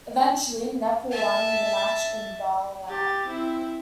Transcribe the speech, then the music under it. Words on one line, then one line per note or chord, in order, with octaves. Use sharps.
Eventually Nepal won the match in bowl-out.
E5 A5
G4 A6
C4 E4